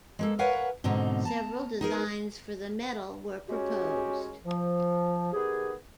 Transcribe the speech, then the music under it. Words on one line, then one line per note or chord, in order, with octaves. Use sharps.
Several designs for the medal were proposed.
G#3 A#3 A4
A#4 B4 C#5 F5 F#5 G#5
G#2 B2 D3 C4 D#4 A#5
A5 A#5
D#4 G#4 A#4
G#3 C#4 F#4 G4 A#4 C#5
F3
D#3 B3 G4 G#4